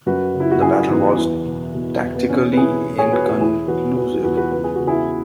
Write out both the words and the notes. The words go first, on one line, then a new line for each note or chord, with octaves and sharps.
The battle was tactically inconclusive.
F#2 F#4 B4
C#3
E4
F#4
F#2 E4 G#4
E3 B3
E2
B2
B2
E2
B3
E2 C#4
B4
B2 E4 G#4
B2
G#4 C#5
E2 F#4 B4
F#4 B4
E2 E4 G#4
E3 F#4 B4
E3 F#4 B4
E2 F#4 B4
F#4 B4
C#2 B4
G#4
C#3 F#4
E4 G#4